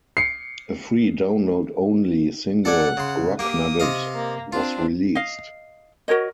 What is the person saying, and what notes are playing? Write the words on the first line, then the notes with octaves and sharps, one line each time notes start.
A free download-only single "Rock Nugget" was released.
C7 C#7
A4 D5 F#5 G#5
C#3 C6
A#3 G4 D#6
C3 D#5 F5
A#3
C4 D4 F4
D#5 F5
F#4 A#4 C#5 D#5